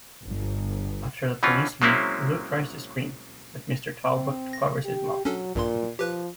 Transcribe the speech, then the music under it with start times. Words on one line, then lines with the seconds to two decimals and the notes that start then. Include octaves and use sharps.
After the police leave, Luke tries to scream, but Mr. Talbot covers his mouth.
0.24 G1
1.43 B2 E3 C4 C#4 F4
1.82 F#3 G#3 A#3 C4 C#4 E4
4.05 C4
4.53 A#6
4.85 G4
5.25 F#3 C#4 D4 A4
5.55 A#1 G2 A#2 C6
5.99 F3 G4 B4 F#6